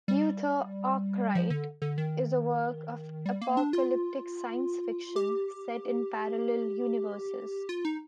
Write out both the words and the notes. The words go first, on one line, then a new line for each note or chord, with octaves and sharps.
"Luther Arkwright" is a work of apocalyptic science fiction set in parallel universes.
G3
F3
D3
D3
D#3
G3
A#3
D4
F4
G4
F4
D#4